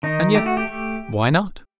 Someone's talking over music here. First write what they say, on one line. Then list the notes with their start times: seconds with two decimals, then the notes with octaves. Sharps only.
And yet--why not?
0.03 D#3 D#4
0.35 A3 G4
0.46 F#4
0.57 G4
0.67 A3